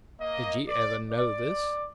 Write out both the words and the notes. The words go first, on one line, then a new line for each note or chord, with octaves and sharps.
Did ye ever know this?
A#3 D#5
D5
D5